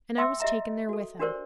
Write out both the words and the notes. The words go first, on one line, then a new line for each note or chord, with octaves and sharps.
And I was taken there with him.
E5 G5 C6 D6 E6
G4 D#5 E5 A#5
F#4 A4
D4 F#4 G4 A#4 C5 D5